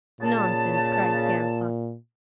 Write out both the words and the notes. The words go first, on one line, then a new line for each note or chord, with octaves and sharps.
"Nonsense!" cried Santa Claus.
A#2 C#3 A5